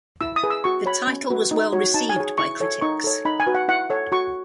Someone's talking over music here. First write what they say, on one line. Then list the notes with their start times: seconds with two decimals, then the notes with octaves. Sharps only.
The title was well received by critics.
0.21 E4 E6
0.36 D#6
0.43 G#4 B4
0.50 E6
0.64 F#4 C#6
0.86 C#5 B5
1.07 C#4
1.30 F#4 B4
1.51 D#4
1.73 F#4 C#5
1.94 D#4 A5
2.09 G#5
2.16 G#4 C#5
2.38 E4 C#6
2.60 A4 C#5
2.81 D#4 C#6
3.04 A4 C#5
3.25 D#4 B5
3.40 G#5
3.47 F#4 B4
3.55 F#5
3.68 E4 F#5
3.90 A4 C#5
4.12 F#4 C#6